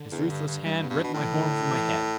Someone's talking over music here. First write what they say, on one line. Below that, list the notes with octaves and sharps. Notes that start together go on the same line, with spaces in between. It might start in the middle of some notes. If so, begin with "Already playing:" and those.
His ruthless hand rent my horn from my head.
Already playing: D3
E2
G2
G2
G2 G3
B3
G2
B2 D4
A2
E3
D3
E3